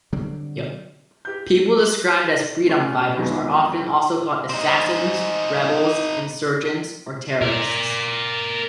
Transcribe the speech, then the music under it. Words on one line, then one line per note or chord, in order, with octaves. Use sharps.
People described as freedom fighters are often also called assassins, rebels, insurgents or terrorists.
D3 F#3 G3 C4
G4 G6
A3 C#4
F2 D#3 F3 F#3 G#3 B3
C4 D#4
A#4 D5